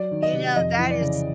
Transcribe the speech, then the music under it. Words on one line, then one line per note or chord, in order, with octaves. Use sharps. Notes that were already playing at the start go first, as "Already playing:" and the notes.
You know, that is
Already playing: F#3 D5
D#3
D#5
C3
F2 D#5
E3
D5
C#3